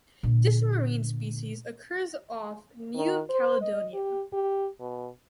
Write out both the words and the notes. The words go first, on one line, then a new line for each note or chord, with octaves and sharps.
This marine species occurs off New Caledonia.
A#2 D3
D#3
C5
D#5
G4
G4
B2